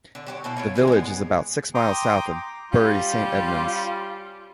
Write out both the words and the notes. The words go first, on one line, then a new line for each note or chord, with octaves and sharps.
The village is about six miles south of Bury Saint Edmunds.
D3
F#3 G4 C#5
B2 A#3 E4
E4 F4 C#5
D3 E3 F3 G#3
G#3 B3
G5 A#5 C6 D6 D#6
G3 C#4 F4 G4